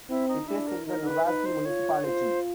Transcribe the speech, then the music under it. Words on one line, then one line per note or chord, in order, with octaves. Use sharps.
It is in the Novaci Municipality.
C4 E4
D#4
D4 E4
A#4
D#4 A#4
B4
D#4 B4
C5
F4 C#5
F4 C5